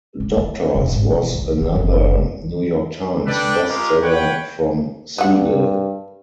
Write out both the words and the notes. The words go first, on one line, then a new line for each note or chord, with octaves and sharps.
"Doctors" was another "New York Times" bestseller from Segal.
D3
A3
E1
G#1
E1
C2
E3
F#1
D4 A4 B4 D5 G5
G#3 F4 G4 A#4
B4 C#5 F#5 G5
G2 F#3 F#5